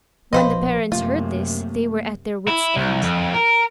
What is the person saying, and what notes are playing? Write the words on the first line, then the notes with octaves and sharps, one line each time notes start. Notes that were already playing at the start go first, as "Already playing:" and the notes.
When the parents heard this, they were at their wits' end.
A#1 B2 F3 B4 C5 D#5 F5 G5
F#2 C3 A3 A#3 F4
E4
C2
F2
A#4